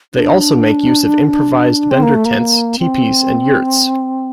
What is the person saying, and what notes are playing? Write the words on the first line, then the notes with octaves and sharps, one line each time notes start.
They also make use of improvised bender tents, tipis and yurts.
D4
C4
A#3
A3
A#3
C4